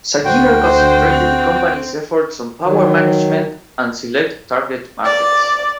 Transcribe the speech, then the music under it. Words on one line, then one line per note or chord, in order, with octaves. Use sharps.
Sayiner concentrated the company's efforts on power management and select target markets.
D2 F#4 C5 G5
C5
C4
D#3 F#3
D5